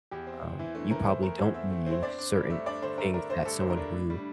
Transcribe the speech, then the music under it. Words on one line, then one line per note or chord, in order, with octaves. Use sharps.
um, you probably don't need certain things that someone who
E2 G4
C4
C4
E3 E4
A3 D4
E3 A#4
E3 C5
A3 A#4
E2 C5
C4 E5
A3
C4 C5
D4 D5
D4
G2
A3 E5
D4 D5
D3 C5
A3 A#4
D4 A#4
A3 C5
G2 A4
D3 C5
A#4
D4
A2
G3
D4